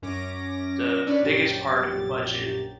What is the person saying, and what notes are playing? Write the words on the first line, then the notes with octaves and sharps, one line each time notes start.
the biggest part of the budget
F#2 C#4 D6 A#6
C#4 D4 B4 D5
A#1 F#2 F#3 G4 A6